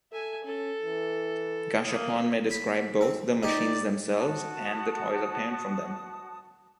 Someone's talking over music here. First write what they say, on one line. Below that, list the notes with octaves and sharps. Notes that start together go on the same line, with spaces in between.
Gashapon may describe both the machines themselves and the toys obtained from them.
A4 E5 G#5
C#4 A4
E3
A#3 D#6
B5
C4
D#4 G4 D5
F#4 A5 D#6